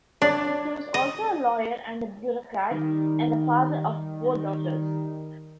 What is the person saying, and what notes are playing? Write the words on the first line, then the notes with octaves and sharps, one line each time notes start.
He was also a lawyer and a bureaucrat and the father of four daughters.
D4 C#5 D5
D#5
D#3 G3